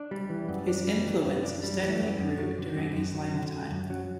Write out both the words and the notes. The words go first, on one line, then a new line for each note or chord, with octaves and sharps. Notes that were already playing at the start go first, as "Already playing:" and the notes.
His influence steadily grew during his lifetime.
Already playing: D4
G3
E3
F#2
D4
G3
E3
F#2
D4
G3
E3
F#2
F#2
F#3
D3
F#2
F#2
F#3
D3
F#2
F#2
F#3